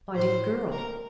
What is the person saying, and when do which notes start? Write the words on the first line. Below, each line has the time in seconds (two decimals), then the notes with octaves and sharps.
"Finding the girl."
0.16 A2 C5
0.72 A#4